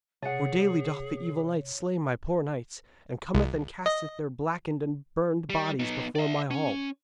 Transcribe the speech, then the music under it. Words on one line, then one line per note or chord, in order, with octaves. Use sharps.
For daily doth the evil knight slay my poor knights, and cometh and casteth their blackened and burned bodies before my hall.
C3 G#4 C#5 F#5 G#5 A6 C#7
C2
D#5
G3
B3 D#4
D5 E5
C#4